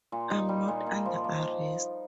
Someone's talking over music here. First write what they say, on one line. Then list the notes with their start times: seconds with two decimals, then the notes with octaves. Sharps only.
I'm not under arrest.
0.12 A#2
0.30 D#4
0.49 G3
0.68 A#2
0.86 A#2
1.06 F3
1.24 A#3